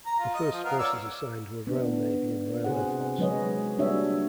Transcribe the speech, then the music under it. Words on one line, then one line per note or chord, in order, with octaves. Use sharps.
The first forces assigned were Royal Navy and Royal Air Force.
A#5
F4
D#5
F3
B3 A#4 F5
C#5 D5 E6
B3 D4
C3 F#4 G#4 C5 F#5
F#3 G#3 G#4 B4 C#5 D#5
G3 A#3 D4 F#4 C#5 E5